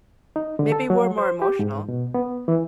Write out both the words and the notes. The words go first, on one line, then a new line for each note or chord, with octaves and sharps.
maybe we're more emotional.
D#4
D3
A4
F#3
C5
G4
G#2
B2
B3
E3